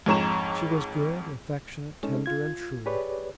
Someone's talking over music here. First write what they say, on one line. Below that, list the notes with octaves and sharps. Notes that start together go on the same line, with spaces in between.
She was good, affectionate, tender, and true.
F2 G#2 C#5 A#5 E7
G#3 C#4 D#4 A4
F4 G#6
G4 G#4 B4 C#5 D5